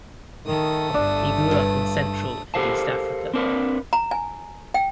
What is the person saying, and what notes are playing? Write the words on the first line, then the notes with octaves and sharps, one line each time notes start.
He grew up in Central and East Africa.
D#3 A3 D#6
G1 D4
G2
G4 A4 A#4 C5 F5 A5
C4 D4 A#4 B4
A#5
G#5
G5